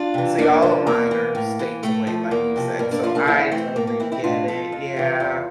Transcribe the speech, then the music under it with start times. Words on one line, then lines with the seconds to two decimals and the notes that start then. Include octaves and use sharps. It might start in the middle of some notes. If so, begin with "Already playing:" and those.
See, all of mine are states away like you said, so I totally get it Yeah,
Already playing: D4 F4
0.14 C3 E3
0.38 F2 A#3 D4
0.62 D3 F3
0.86 E2 A#3
1.11 E3
1.35 A2
1.59 E3
1.83 A2 A3
2.07 F3
2.31 E2 A#3
2.56 C3 F3
2.79 G2 A#3
2.91 A#3 D4
3.03 F3 D4 F4
3.15 A#3 D4
3.27 E2 C4 E4
3.52 E3 A3 C4
3.76 A2 A#3
3.87 A#3
4.00 E3 C4 E4
4.12 C4 E4
4.24 A2 D4 F4
4.48 F3 F4 A4
4.72 F2
4.96 C3 E3
5.20 E2